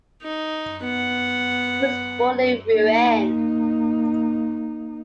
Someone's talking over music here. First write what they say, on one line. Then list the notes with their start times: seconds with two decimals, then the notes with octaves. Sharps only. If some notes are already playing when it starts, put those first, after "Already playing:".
He was born in Rouen.
0.23 D#4
0.83 B3 F#5
2.74 A#3 D#4